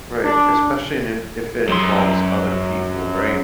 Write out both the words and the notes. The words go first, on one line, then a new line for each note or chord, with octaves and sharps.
Right, especially in if it involves other people, right?
D4
F#2 C6